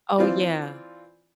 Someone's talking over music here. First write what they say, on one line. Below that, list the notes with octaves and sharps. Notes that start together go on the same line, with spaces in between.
Oh, yeah,
E3 C4 F4 D5